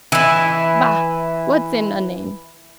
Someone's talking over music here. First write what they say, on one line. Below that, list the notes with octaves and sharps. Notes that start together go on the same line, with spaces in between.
Bah! what's in a name?
E3 E4